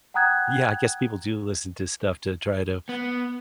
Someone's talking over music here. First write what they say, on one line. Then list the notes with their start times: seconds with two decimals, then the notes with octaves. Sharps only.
Yeah, I guess people do listen to stuff to try to,
0.14 F#5 G5 A#5 D#6 F#6 G#6
2.89 B3